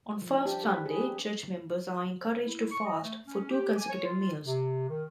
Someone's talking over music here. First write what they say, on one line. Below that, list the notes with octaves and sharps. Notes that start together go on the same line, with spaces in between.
On Fast Sunday, church members are encouraged to fast for two consecutive meals.
F3
D4
G4
B4
G#4
G4
E4
C#6
D#5
A3
C#4
G4
G#5
C#5
F4
C3
D#3